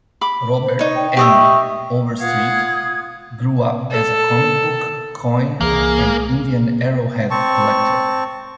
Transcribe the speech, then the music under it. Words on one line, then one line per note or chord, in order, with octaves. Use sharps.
Robert M. Overstreet grew up as a comic book, coin, and Indian arrowhead collector.
B5 D6
C5
D#4 C#5 D5
G5
G4 D#5 E5 C#6
F4 F5 F#5 D#6 G#6
A4
C2 E3 A#3 G#4
C4 A5 C#6